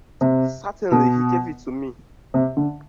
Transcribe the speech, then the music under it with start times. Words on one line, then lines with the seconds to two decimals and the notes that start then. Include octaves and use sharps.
Certainly he gave it to me.
0.21 C3
0.92 B2
2.34 C3
2.57 D3